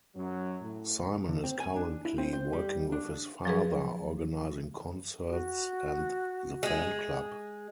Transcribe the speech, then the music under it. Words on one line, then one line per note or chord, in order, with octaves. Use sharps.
Simon is currently working with his father, organising concerts and the fan club.
F#2 F#3
A2
D3
C4
G#5
D4
E4
C4
C5
G3
D4
F3 F#3 G#4 B4
F#4
G#3 G#4